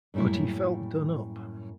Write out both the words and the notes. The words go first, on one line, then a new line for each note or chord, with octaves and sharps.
But he felt done up.
F#2 A2 G3 A#3 E4